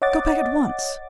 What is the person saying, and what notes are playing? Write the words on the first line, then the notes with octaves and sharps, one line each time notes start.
Go back at once!
C#5 D#5 F#5 D6 A6